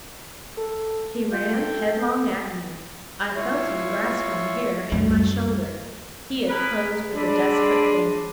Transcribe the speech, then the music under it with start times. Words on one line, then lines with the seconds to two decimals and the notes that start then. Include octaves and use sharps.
He ran headlong at me: I felt him grasp my hair and my shoulder: he had closed with a desperate thing.
0.57 A4
1.32 F4 G5
1.54 A4
3.36 E4 F4 C#5
4.92 F#2 G3
6.48 G#4 A#4 B4
7.14 G#3 D4 A4 D5 B5